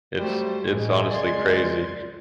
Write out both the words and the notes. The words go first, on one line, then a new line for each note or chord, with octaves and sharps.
it's it's honestly crazy,
F#3 G3 A3 F#4 C5
A1 G#2 G#3
C#2 D5 C6 G#6